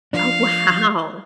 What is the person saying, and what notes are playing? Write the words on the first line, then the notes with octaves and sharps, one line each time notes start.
Oh, wow.
F3 D4 F5